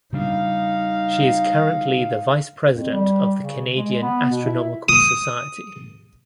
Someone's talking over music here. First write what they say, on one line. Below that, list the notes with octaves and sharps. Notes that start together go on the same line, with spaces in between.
She is currently the Vice President of the Canadian Astronomical Society.
C#3 G3 D4 D#4 F5
F2
G3
C#3
G#3
B3
B2
E4
D#6